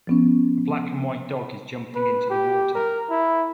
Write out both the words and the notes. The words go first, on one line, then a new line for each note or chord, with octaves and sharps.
A black and white dog is jumping into the water.
F3 B3 C#4
B4
G4
A#4
E4